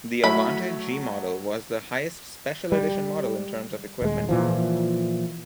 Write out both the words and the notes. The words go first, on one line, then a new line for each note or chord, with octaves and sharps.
The Avante G model was the highest special edition model in terms of equipment.
F#3 A3 E4 B5
G3
D#1 G#3
A#2 E3 F3